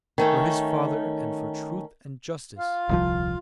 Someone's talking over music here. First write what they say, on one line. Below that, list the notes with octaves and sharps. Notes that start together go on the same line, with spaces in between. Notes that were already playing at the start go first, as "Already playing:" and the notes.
For his father and for truth and justice.
D#3 A3 C#4
F4 F5
D#1 C2 F3